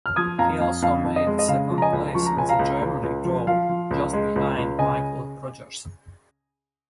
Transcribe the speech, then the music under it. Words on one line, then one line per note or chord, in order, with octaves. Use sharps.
He also made a second place in the Germany Tour, just behind Michael Rogers.
F6
F3 D#6 G#6
F2 F5 A#5
F2 F5
F2 F5
F2
D#5
G#3
D#5
C#3 F5
F3
A#5
D#5 G#5
C#2
F3 C#6
A#5
C#2 G#5
F5 A#5
C#2
C#2
C#2
F3
F3 F5
F3
C#2
G#3
C#2
C#2
C#3 D#5 G#5